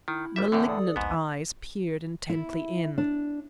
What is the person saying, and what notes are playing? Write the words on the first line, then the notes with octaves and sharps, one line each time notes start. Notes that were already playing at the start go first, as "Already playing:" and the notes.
Malignant eyes peered intently in.
D#3 E4
G#1 G3 E5
E2 A2 D3 C4 G6
A4 D5 D#6
A#1 D#2 G#2 B3
E4
D4